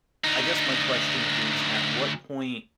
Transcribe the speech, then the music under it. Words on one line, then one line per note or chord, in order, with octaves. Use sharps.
I guess my question is, at what point
D2 D#4